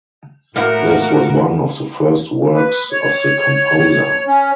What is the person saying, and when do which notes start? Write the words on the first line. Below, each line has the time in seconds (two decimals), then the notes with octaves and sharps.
This was one of the first works of the composer.
0.56 A2 A3 A#3 E4 F#4 A#4 E5 F#5
2.54 B4
2.92 C#5
4.27 C#4